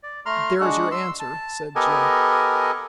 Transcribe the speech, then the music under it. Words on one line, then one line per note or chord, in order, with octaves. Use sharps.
"There's your answer," said Jim.
D5
A3 A#5 C6 F6
G#3 D4 F#4 F#5
C6 E6
A5
B3 G4 A4 A#4 D#5 G#5